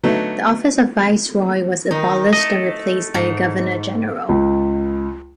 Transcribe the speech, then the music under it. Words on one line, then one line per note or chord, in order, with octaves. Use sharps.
The office of Viceroy was abolished and replaced by a Governor-General.
D3 F#3 A3 B3 D#4
D#3 D#4
A3 D#5
G#2
C#2